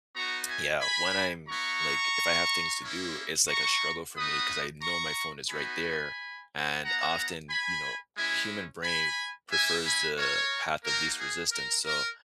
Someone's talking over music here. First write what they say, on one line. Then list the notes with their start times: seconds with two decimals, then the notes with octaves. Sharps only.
Yeah, when I'm like, if I have things to do, it's like a struggle for me, 'cause I know my phone is right there, and often, you know, human brain prefers the path of least resistance, so,
0.15 B3 D#4 F#4 A#5 C#6
0.48 E5 G#5
0.81 G#5 B5
1.48 B3 E4 A#5 C#6
2.83 A#3 C#4 E4
3.48 A#5 C#6
4.16 B3 D#4 F#4 B5 D#6
4.82 A#5 C#6
5.49 B3 D#4 F#4 G#5 B5
6.83 B3 E4 F#5 A#5
7.50 G#5 B5
8.17 G#3 C#4 E4 E5 G#5
8.83 G#5 B5
9.51 A#3 E4 E5 G#5
9.84 G#5 B5
10.18 A#4 C#5
10.84 A#3 D#4 F#4 A#4
11.19 G#4
11.51 A#4
11.85 A#4